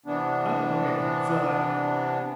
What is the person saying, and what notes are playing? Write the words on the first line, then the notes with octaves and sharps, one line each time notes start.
Oh, okay, so, uh
C3 E3 B3 D4